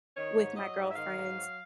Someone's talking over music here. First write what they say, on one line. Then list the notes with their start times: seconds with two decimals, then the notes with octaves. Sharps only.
with my girlfriends,
0.16 D#3 C#5
0.36 G#2
0.56 F#3 D#5
0.76 G#2
0.89 E5
0.95 D#3 F5
1.15 G#2
1.35 F#3